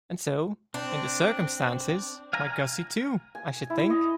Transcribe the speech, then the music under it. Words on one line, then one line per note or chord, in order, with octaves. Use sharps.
And so, in the circumstances, might Gussie too, I should think.
C4 D4
F5 G#5 A#5
G#5
E4
D#5